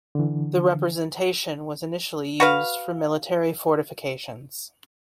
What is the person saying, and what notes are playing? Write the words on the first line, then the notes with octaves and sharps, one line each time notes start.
The representation was initially used for military fortifications.
D3 E3
F#4 B4 F5